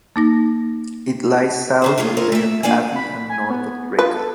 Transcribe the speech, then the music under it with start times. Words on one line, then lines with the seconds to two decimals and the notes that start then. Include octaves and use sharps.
It lies south of Dale Abbey and north of Draycott.
0.16 A#3 D#4 A#6
1.82 D3 D#3 C5
1.98 D#2 A2 F3 F4 G#4
2.17 C4 F4 G#4 A#4 C#5
2.32 A3 E5
2.63 A#3 D4 D5 F5 G#5
2.96 B5
3.30 G#5
3.50 B3
3.99 F4 B4
4.15 A4